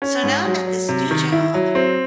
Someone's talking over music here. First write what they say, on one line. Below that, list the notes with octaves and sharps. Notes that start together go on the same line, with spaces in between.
So now I'm at this new job,
C#4
G#2
F#3
F#3
C3
D#3
E4
F#3
C4